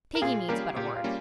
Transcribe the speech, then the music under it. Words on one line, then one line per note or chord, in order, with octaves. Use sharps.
Piggy needs but a word.
A#4
A#2 F4 G#4
G3 A#3 C#4 G4 A#4
A#2 G4
F4
G3 A#3 C#4